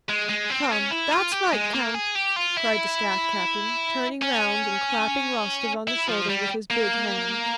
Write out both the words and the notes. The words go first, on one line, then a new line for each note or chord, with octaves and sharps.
"Come, that's right, Count!" cried the staff captain, turning round and clapping Rostov on the shoulder with his big hand.
G#3
G#3
C4
C#4
E4
F4
G4
G#3
A#3
G#4
G4
F4
E4
C#4
E4
F3
G3
A#3